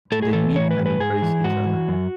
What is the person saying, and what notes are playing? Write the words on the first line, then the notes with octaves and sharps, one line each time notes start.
They meet and embrace each other.
A2 A4
G#4
E3 A4
A2 C#5
B4
E3
B4
G#2 G#4
E3
G#2 F#4
E3
F#2